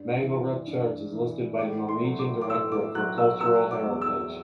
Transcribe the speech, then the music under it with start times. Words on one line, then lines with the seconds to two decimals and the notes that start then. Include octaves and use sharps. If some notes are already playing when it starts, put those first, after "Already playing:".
Manglerud Church is listed by the Norwegian Directorate for Cultural Heritage.
Already playing: G2
0.21 E3
0.67 G2
1.13 E3
1.58 A2 D6
1.89 C6
2.04 F#3
2.19 D6
2.41 D6
2.50 A2 E6
2.72 D6
2.95 F#3 F#6
3.18 E6
3.40 F#3 E6
3.71 D6
3.86 E2
4.01 E6